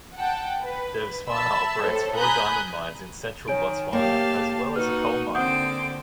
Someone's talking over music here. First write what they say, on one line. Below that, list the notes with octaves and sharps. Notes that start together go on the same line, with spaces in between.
Debswana operates four diamond mines in central Botswana, as well as a coal mine.
F#5 G5 A5
B4
E5 A5 B5 E6
A2 A4 C5
G#5 A#5 B5 D#6 F#6 G6
D#3 C#5 G#5 D7
A#3 G4 C#5 F5 G5 A5
D#4 F#4 B4 F6
D3 C4 F#5 D6 D#6 G6